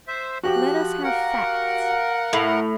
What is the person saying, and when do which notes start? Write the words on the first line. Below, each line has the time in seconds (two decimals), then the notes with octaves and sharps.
Let us have facts.
0.08 C5 E5
0.44 F3 F#4 G4 F#6
1.03 A#4 F5 F#5
2.33 A2